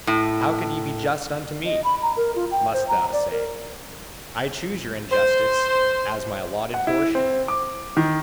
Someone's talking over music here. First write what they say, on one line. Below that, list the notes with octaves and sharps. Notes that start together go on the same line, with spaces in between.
"How could ye be just unto me!"--must thou say--"I choose your injustice as my allotted portion."
A2
D#5
B5
A#5
A#4
F4
G5
C5
A#5
D5
A#4
C5
F#5
E4
C4
D6
D#3